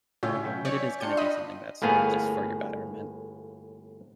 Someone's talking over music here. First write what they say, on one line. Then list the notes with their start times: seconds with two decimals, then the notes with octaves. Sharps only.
but it is gonna be something that's just for your betterment.
0.23 A2 C#3 C#4 F4 E5 G5
0.44 B2 F#3
0.65 C#5 D5
1.00 D4 F4 G4 G6 C#7
1.17 D#5 B5
1.82 G1 A2 A#3 B3 G#4 F5